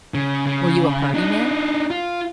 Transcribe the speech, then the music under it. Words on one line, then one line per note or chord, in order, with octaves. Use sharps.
Were you a party man?
C#3
C#3
D4 D#4
F4